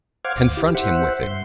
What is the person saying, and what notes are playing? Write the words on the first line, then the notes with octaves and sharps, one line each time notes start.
"Confront him with it."
C5 F5 F#5 D6 F6 G#6
D2 D6
E4 G4
C5 E5 F#5
G2 C6